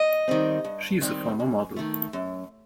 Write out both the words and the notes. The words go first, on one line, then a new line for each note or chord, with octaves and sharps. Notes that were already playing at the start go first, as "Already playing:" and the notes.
She is a former model.
Already playing: D#5
D#3 G3 C4
G2
D#3 G3 C4
F#2
D#3 A3
F#2